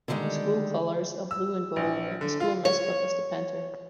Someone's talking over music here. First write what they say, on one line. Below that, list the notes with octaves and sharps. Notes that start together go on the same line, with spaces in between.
The school colors are blue and gold, and the school mascot is the Panther.
D3 D#3 F3 G3 G#3
E6
A#1
D3
F4
C#5